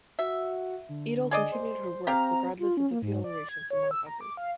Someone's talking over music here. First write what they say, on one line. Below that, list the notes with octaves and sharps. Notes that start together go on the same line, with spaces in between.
Edel continued her work regardless of the fuel rations among others.
F#4 E5
D3
G#4 D5 D#5
C5
C4 G4 F5 A#5
F4
C#4
A#3
G#2
D5
G#6
C#5
E6
A#5
D6
F5